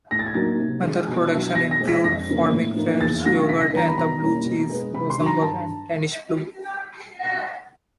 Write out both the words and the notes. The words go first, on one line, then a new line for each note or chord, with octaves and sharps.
Other products include fromage frais, yoghurts and the blue cheeses Rosenborg and Danish Blue.
A2 A#6
A6
G#6
F#3 A#3 D#4 A6
C3
F3 G#3
B2
F#3 B3
B2 A#6
A#6
G#3 C4
B6
F2 A#6
C#3 F3 A#3
A2
F3 A#3 D#4
E2 A6
B2 F#3 A3 A#6
C#3 B6
A#6
E3 G3 B3 A#5
B5
B2 A#5
G3 A#3 C#4 E4
B2
G#3 B3
C3 B5
C6
D#3 F#3
A#5
G2 A5